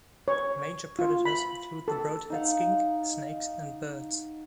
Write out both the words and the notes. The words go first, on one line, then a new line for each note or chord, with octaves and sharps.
Major predators include the broadhead skink, snakes and birds.
C#5
F4
B5
A4
D#4 F5 F#5